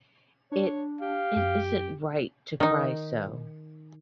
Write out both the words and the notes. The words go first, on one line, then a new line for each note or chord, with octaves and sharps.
It — it — isn’t right to cry so.
D4 C#5
G4 F5
F#2 G4
D#3 D#4